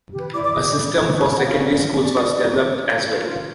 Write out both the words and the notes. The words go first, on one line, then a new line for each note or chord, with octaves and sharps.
A system for secondary schools was developed as well.
G4 B4
E4 D5 D6
D5 D6
G#4 C#5 D#5 D#6
D5 D6
E4
A4 C5
F4 C#5 C#6
F#4 G#4 C#5 F#5
F4 F5
C#4 D5
D5
E4 G#4 C5
C#5
F#4 D5
B4
D#4
G4 A#4 C#5
C#4
F#4 A#4 C#5
F4